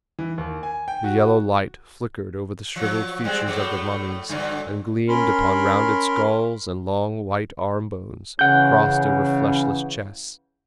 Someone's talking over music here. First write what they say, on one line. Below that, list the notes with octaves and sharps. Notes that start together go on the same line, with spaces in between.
The yellow light flickered over the shrivelled features of the mummies, and gleamed upon rounded skulls and long, white armbones crossed over fleshless chests.
E3
D#2
G#5
G5
F#4
F3 F#3
G3 G#3 C4
A2 F#3 A3
G2 D3 F#3
C#4 A#4 B5 C6 F6
C#3 E3 F#5 G6